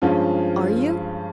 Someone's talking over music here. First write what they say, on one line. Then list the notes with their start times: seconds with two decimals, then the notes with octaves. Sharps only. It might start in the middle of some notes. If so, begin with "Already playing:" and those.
"Are you?"
0.02 G2 F3 G#3 C#4 F4